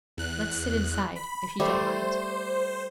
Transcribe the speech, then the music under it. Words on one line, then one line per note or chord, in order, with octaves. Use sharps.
Let's sit inside, if you don't mind.'
E2 F#6
B5
G3 A3 C5